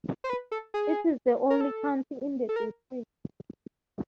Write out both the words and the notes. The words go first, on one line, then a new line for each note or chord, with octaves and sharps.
It is the only county in the district.
C5
B4
A4
G#4
A#4
A4
A4
A#4